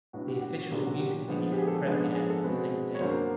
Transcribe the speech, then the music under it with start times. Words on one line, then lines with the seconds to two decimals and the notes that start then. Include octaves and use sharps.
The official music video premiered the same day.
0.13 A2 F#3 B3 D4 F#4
0.28 G4
0.41 F#4
0.71 A#2 F#3 B3 D4 G4
0.86 F#4
0.99 G4
1.28 D3 F3 G#3 B3
1.53 G4
1.58 G#4
1.68 A4
1.86 G#2 F3 G#3 B3 D4
2.15 G#4
2.30 A4
2.44 B2 G#3 C4 B4
2.95 C#5
3.01 F#2 D3 F#3 A#3 D4 C5